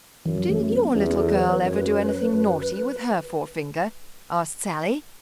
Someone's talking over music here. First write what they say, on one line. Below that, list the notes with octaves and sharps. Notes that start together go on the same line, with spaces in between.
"Didn't your little girl ever do anything naughty with her forefinger?" asked Sallie.
F#2 E3
F#3
A3
A3
B3
B3
E2 C#4
E4
F#4
A4
B4
C#5
B4
F#2 C#5
B4
C#5
B4
F#2 B4